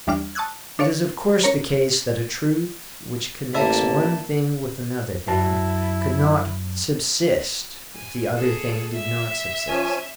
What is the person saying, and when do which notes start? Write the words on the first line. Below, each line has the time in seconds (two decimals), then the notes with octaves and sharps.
It is of course the case that a truth which connects one thing with another thing could not subsist if the other thing did not subsist.
0.07 D#2 E3 G3 D4 D6 F6
0.35 A5 C#6 D#6 E6 F#6 G#6
0.79 D4 A4 C#5 D5 F5 C#6
1.43 C#4 A#4 C#5 A#5
3.55 A1 A#3 E4 D5 A5
5.28 F#2 E4 F#4 A5
7.95 G#5
8.35 G#4 A4
8.94 E5
9.68 F3 C#4 G#5